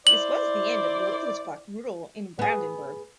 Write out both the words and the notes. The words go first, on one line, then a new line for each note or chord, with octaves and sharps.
This was the end of the Wittelsbach rule in Brandenburg.
E4 C5 D5 F#7
B3 G#4